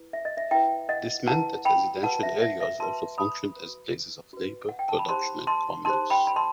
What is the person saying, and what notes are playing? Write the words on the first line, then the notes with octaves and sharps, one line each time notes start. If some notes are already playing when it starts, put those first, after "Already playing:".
This meant that residential areas also functioned as places of labour, production and commerce.
Already playing: E4 B4
E5
D#5
E5
E4 B4 E5 G5
D#5 F#5
E4 B4 F#5 A5
G5 B5
F#4 B4 F#5 A5
E5
E5
E5
F#4 B4 A5 C6
B5 D#6
F#4 B4
F#4 B4
F#5
G5
A5
B5
D#4 G4 C5 A5 C6
A5 C6
D#4 G4 C5 A5 C6
G5 B5
B5
A5 C6